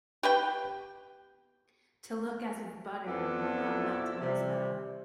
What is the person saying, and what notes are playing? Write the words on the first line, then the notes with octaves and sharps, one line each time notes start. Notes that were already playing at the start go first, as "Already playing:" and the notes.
To look as if butter will not melt in his mouth.
G4 B4 G5
F2 F3 B3 E4 A4 D5
C3 G3